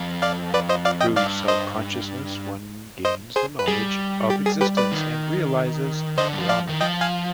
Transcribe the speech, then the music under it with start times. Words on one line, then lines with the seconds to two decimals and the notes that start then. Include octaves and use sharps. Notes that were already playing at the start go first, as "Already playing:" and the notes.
Through Self-consciousness one gains the knowledge of existence and realizes Brahman.
Already playing: F2
0.22 D5 F5
0.54 B4 D5
0.69 C5 D#5
0.85 D5 F5
1.01 D#5 G5
1.16 G2 D5 F5
1.48 C5 D#5
3.05 C5 D#5
3.36 G#4 C5
3.59 B4
3.68 G3 G#4
4.30 G4
4.46 G#4
4.61 G4 B4
4.77 B4 D5
4.92 D#3
6.17 D3 C5 D#5
6.33 G3
6.38 F3
6.49 D5 F5
6.69 D#3
6.80 F3 D#5 G5
7.01 F5 G#5